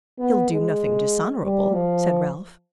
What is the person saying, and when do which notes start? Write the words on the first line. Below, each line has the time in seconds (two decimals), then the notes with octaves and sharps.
"He'll do nothing dishonourable," said Ralph.
0.19 B3
0.50 G#3
1.43 G3
1.73 F3